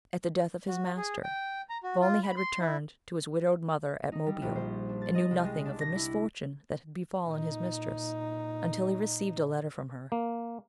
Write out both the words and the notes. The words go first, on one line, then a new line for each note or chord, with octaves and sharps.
At the death of his master, Volney had returned to his widowed mother at Mobile, and knew nothing of the misfortune that had befallen his mistress, until he received a letter from her.
F#4
G#4
G5
A#5
F#4
F4
B5
C6
E4
D#4
G3
A#1
C5
D4
A6
D#5
C2
G#3
D4
A#6
E4
A#2 D#4
A#3